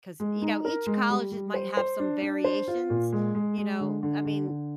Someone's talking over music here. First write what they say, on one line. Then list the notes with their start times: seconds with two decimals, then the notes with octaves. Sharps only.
'cause, you know, each colleges might have some variations, you know, I mean,
0.20 G#3
0.42 D#4
0.65 A#4
0.86 G#3
1.10 G3
1.32 G3
1.54 C5
1.77 C5
2.00 D4
2.22 D4
2.44 C5
2.68 F4
2.90 A#2
3.12 G#3
3.35 G#3
3.58 G#3
3.80 D3
4.03 D3
4.25 D3
4.47 D3